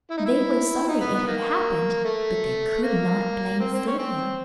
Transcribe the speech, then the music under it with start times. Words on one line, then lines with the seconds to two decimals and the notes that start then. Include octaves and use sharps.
They were sorry it had happened, but they could not blame Sylvia.
0.10 E4
0.17 D#4
0.26 E4
0.88 D#4
1.01 B3
1.14 B3
1.27 D#3 A#3
2.05 A3
2.83 A#3
3.60 C4
3.74 C4
3.87 C#4
3.99 C4